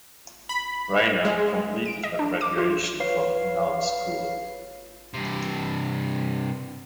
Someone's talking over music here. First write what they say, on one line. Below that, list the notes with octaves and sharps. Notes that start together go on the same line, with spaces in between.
Reiner completed her graduation from Punahou School.
B5
G#3
D7
D#5
D4
D6
F4
B4 C#5 F5 C7
G2 C3